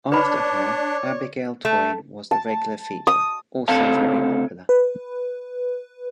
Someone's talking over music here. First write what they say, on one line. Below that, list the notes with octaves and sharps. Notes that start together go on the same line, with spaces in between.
After her Abigail Toyne was the regular feature, also very popular.
D4 B4 C#5 D5 B5
A3
A5
D#6
D2 C#3 C4 A4 F5 A5
B4